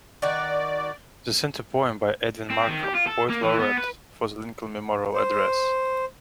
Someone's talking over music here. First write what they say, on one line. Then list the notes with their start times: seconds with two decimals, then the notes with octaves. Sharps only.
The center poem by Edwin Markham, poet Laureate for the Lincoln Memorial address.
0.22 D#3 F#4 D5
2.50 C4
2.68 D#3
2.83 G4
2.95 F4
3.07 A4
3.29 A#3
3.42 E3
3.59 B3
3.78 B4
5.14 C5